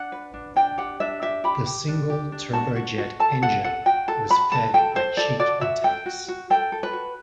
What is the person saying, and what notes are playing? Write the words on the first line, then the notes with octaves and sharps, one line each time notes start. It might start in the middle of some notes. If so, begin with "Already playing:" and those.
The single turbojet engine was fed by cheek intakes.
Already playing: D4 F#5
B4
D4
D4 G5
G4 F#5
D4 E5
G4 E5
G4 B5
G4
D4
G4
D4
F#4 A5
F#4
F#4
A4 A5
A4 F#5
A4 F#5
F#4 G5
A4 A5
F#4 B5
A4 A5
A4 G5
A4 C5
A4 D5
F#4 D5
F#4 E5
A4 G5
F#4
F#4
A4 G5
A4
B4
F#4